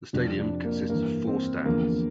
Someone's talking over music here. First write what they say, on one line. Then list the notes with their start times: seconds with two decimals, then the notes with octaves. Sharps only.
The stadium consists of four stands.
0.13 F2 C3 F3 D4
0.39 D4
0.64 A#3
0.89 G2 E3 A#3
1.27 C4
1.65 E2 D3 F3 A#3